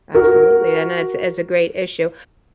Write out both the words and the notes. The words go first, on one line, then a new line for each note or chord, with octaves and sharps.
Absolutely, and that's that's a great issue.
F#4 A#4